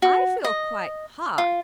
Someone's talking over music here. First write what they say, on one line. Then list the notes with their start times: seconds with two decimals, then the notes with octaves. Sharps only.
I feel quite hot.
0.02 F#4
0.44 D#5
1.38 F4